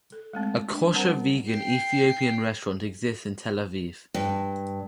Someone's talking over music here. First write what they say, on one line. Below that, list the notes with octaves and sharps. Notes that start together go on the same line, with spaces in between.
A kosher vegan Ethiopian restaurant exists in Tel Aviv.
A4
G#3 A3 C4
D4
G3 C4 A#4 C5 F#5 A#5
G5 C7
G2